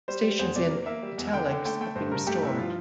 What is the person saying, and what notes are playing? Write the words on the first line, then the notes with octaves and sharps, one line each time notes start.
Stations in "italics" have been restored.
G3 C5
G3
E2 C5
C3 D5
A#3
A#3 E5
G3
E2
D3 G5
D3
A3 G5
A3 G5
G2 C5
G2 A#4
A3 G4
G2 E4
F3 F4